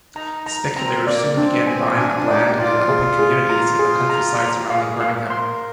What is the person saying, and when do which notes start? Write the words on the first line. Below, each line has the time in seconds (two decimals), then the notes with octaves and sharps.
Speculators soon began buying up land and developing communities in the countryside surrounding Birmingham.
0.16 D#4 A#5
0.46 A#5
0.77 C4 A#5
1.07 A#3 D5
1.37 C4 D4
1.67 C4 G#5
1.98 D4 G#5
2.07 C4
2.16 D4
2.28 D#4 D5
2.48 G4
2.58 F4 D5
2.88 G#4
3.19 G#4
3.50 A#5
3.79 G#4
4.09 A#5
4.40 A#5
4.59 G4
4.70 G#4 F5
5.00 F5
5.15 A#4
5.24 C5
5.30 A#4 C6